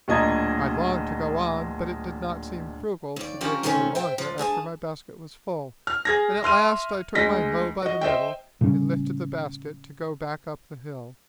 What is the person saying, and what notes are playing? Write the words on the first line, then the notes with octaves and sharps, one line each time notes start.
I longed to go on; but it did not seem frugal to dig any longer after my basket was full, and at last I took my hoe by the middle and lifted the basket to go back up the hill.
D1 A#2 D4 D#5 A#5 G#6
D#2 D5
F3 C#4 F#4 G4 A#4
C3 D#3 F3 G3 A3 C#4
C5 E5 G5
F3
G2 G#4 C5 A5
F6
G#4 G#6 A#6
E5 C6 F6 D#7
D2 G#3 D#5 A#6 B6
F#4 D#5
C5 D#5 E5 G5
A2 C#3 G3 C#4